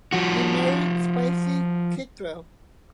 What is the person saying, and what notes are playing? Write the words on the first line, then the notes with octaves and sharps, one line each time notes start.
He married Spicy Kittrell.
F3 F#4